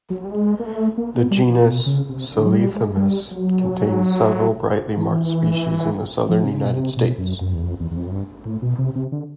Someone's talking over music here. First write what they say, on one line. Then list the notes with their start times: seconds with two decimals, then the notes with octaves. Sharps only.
The genus "Celithemis" contains several brightly marked species in the southern United States.
0.10 F#3
0.25 G3
0.31 G#3
0.60 A#3
0.65 A3
0.98 A#3
1.15 B3
1.31 G3
1.48 F3
1.65 B2
1.86 C#3
2.09 C3
2.32 D3
2.45 F#3
2.54 G3
2.75 G#3
2.97 G3
3.31 F#3
4.97 E3
6.29 F3
6.44 C3
6.52 C#3
6.64 B2
6.74 C3
6.97 B2
7.18 F#2
7.41 F#2
7.54 E2
7.63 F2
7.80 E2
7.91 E2
7.97 F2
8.07 F#2
8.12 G2
8.45 A2
8.62 B2
8.78 C3
8.96 C3
9.12 D3